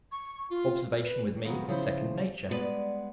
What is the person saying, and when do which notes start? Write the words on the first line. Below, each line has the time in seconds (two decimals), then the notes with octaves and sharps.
Observation with me is second nature.
0.12 C#6
0.50 F4
1.00 B4
1.44 D#3 F3 F#3 G#3 B3 F#4
1.68 C#3 F3 E4 C5
2.48 G3 G#3 B3 F#4 B4 D5